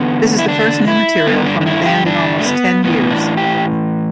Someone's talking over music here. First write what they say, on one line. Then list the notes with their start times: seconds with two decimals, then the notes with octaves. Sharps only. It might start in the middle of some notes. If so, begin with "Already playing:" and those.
This is the first new material from the band in almost ten years.
Already playing: E2 D3 B3
0.39 E4
0.48 D4
0.88 E4
1.27 G2 D3 B3
1.46 D4
1.61 D4
1.66 E4
1.86 G4
2.06 D4
2.39 A3
2.45 B3
2.84 A2 E3 B3
3.10 D4
3.37 G4